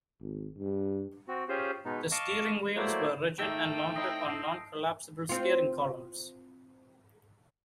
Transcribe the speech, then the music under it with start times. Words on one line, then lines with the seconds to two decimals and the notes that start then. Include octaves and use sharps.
The steering wheels were rigid and mounted on non-collapsible steering columns.
0.21 G#1
0.58 G2
1.28 C4 F#4
1.49 C#4 F4 G4 G#4 C5
1.85 B2 G#3 B3 D#4
2.12 D#5 F5 A5 C#6 D6
2.76 F#3 A3 A#3 E4 C5 D5
3.39 G#2 D#3 A3 A#3 G5 E6 G6
3.96 C4 D#4 E4 D#6 A#6 C7
4.28 A5 C7 D7
5.29 C4 F4